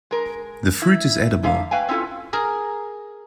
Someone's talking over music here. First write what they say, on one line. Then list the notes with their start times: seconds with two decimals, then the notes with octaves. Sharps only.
The fruit is edible.
0.11 G#3 A#4
0.82 E4
1.43 G#2 D3 E5 F5
1.71 A3 B4 F5 G5 G#5
1.89 C4 C#4 E4 F4 A4
2.33 G#4 A#4